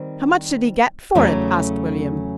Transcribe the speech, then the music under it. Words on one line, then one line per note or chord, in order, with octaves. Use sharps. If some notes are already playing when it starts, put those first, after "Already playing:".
"How much did he get for it?" asked William.
Already playing: D#3 G3 C4
E2 C#3 F#3 A3 C#4